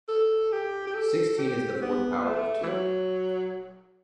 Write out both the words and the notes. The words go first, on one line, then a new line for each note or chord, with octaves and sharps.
Sixteen is the fourth power of two.
A4
G4
G4
A4
G4
C4
B3
A3
E3
F#3